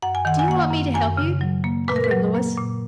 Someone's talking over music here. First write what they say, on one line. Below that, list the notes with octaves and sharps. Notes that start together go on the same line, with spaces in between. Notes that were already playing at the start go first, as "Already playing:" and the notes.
"Do you want me to help you?" offered Louis.
F#2 F#5
G#5
D#3 F#5
G#5
A#3 F#5
F#2
F#2 G#5
C#3
F#3
A#3
A#2 B4
A#4
B4
F#3
A#3
A#2